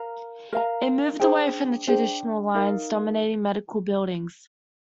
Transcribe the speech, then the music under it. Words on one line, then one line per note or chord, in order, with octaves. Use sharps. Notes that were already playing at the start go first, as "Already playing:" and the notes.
It moved away from the traditional lines dominating medical buildings.
Already playing: A#4 F5 A#5
A#4 F5 A#5
D4 G#4 C5 G5
D4 G#4 C5 G5
D#4 A#4 D5 F5